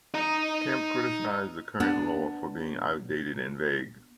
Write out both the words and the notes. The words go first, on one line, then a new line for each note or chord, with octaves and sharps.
Kemp criticized the current law for being outdated and vague.
D#4 A#5
B3 D4